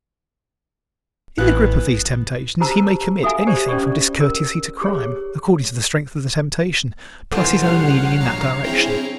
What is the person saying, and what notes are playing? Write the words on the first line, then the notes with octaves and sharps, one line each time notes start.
In the grip of these temptations he may commit anything from discourtesy to crime--according to the strength of the temptation plus his own leaning in that direction.
A1 E3 B3 F#6
F#4 G4 C5 A5 A#5 E6
F#4 A4 E5 F5 G#5
G4 C5 D5
C#4 C5 D5 C#6
A#4
G4 G#4 C#5
B1 D3 E3 F3 D4 F4 C5
G2 D4 C#5 F5 F#5
A#1 F#3 A#5
C4 E4 G#4 G5 A#5